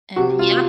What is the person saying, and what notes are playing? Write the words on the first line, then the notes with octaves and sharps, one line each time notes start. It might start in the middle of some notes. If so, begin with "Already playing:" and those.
And Yep.
C3 F#4
F4